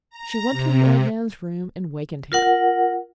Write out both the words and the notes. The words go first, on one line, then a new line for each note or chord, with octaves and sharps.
She went to the old man's room and wakened him.
A#5
C3
F4 A#4 F#5